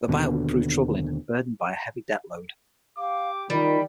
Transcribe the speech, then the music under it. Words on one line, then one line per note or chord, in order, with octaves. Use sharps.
The buyout would prove troubling, burdened by a heavy debt load.
D#2 B2 D3
G4 F5 D6
D#3 G3 F4 B5